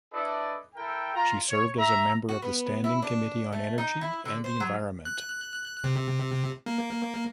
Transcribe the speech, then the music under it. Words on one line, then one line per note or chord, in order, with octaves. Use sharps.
She served as a member of the Standing Committee on Energy and the Environment.
D4 E4 A4 B4 D5 D#5
E4 A4 A#4 G5
F4 A#5
C#5
E5 A#5
F#4
B3
E4
D4
A3
D#4
E4
D3
C5
F#3
F#6
C3
A#3